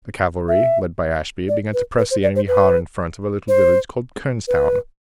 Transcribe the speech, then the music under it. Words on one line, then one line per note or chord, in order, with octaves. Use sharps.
The cavalry led by Ashby began to press the enemy hard in front of a little village called Kernstown.
E5
D5
B4
B4
C5
D5
C5
B4
C5
B4